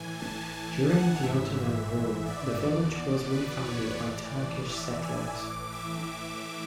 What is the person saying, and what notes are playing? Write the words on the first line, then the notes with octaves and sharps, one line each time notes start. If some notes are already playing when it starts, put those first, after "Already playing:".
During the Ottoman rule, the village was re-founded by Turkish settlers.
Already playing: A2 E3 G#5
A5
G#5
F#5
G#2 E3 E5
E5
E5
D5
E2 B2
B4
C#5
A2 E3 D5
E5
G#5
A2 E3 D6
E5